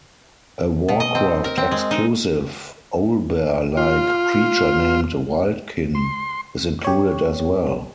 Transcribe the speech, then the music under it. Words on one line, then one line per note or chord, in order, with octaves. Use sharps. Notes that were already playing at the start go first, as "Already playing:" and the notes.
A "Warcraft"-exclusive owlbear-like creature named wildkin is included as well.
B2
D#5
C4
A#4
C4
G#3
D#4
F4
C6
G4 C#5